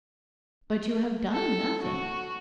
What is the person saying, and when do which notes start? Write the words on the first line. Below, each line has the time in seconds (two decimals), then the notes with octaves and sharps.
'But you have done nothing.'
1.32 A4
1.83 F#4